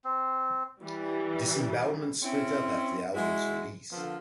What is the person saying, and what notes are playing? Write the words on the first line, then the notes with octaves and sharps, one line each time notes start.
Disembowelment split up after the album's release.
C4
E3 G3
C4 C#4 E4
G#3 E4 F#4
D3 F3 B3 F4 A4 A#4